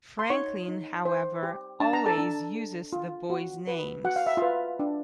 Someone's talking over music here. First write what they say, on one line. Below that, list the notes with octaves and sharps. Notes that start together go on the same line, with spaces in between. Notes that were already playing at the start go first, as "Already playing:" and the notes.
Franklin, however, always uses the boys' names.
C6
D#4 C#5 C#6
D#4
C5
G4
D4 A5
A#5
A4 A5
D4
A4
F4
F#4
B4
F#4 F#5
F5
E5
F4 B4 F5
D4